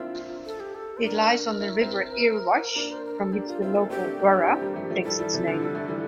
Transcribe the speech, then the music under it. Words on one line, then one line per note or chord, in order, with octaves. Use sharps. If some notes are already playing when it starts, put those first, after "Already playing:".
It lies on the River Erewash, from which the local borough takes its name.
Already playing: A#3 C4 D4 E4 F4
A4
G4
A4
C5
A#3 D4 A#4
E4
C4 E4
A#3 D4
C5
A#4
A4
A#3 D4 G4
F4
C4 E4 F4
A#3 D4 A4
A3 C4 G4
D4
A3 C4
A#3 D4
E4
A#3 D4
A3 C4
G3 A#3
F3 A3
F3 A3
E3 G3 A4
E3 G3
C3 E3
D3 F3
G3
A3
E3 G3